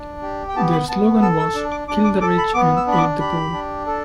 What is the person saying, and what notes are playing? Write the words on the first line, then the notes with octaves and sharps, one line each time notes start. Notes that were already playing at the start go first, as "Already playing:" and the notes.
Their slogan was "'kill the rich and aid the poor'".
Already playing: D4
G4
G5
B3 A5
B5
B3 A5
A4 E6
E6
D4 E6
D6
D4 D6
D6
A4 D6
B5
B3 D6
E6
D4 B5
D6
G4 B5
D4
A4